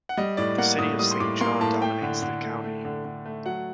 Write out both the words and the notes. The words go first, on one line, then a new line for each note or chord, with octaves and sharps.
The city of Saint John dominates the county.
F#5
G3 D#5
A2 D5
A#3 F#5
A2 D#6
G3 D#6
C6
A2 D6
A#3 C6
A2 A5
A3 G5
D3
D3
A3
A3
D3
D3
A3
F#3 F#5